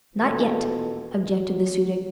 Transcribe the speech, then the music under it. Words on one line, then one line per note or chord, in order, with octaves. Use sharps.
"Not yet," objected the Su-dic.
A#1 E2 B2 E3 A4
F#3